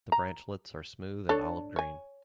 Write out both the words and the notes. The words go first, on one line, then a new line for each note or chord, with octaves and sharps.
The branchlets are smooth and olive-green.
A#5
D4 A4 C#5
C#5 G#5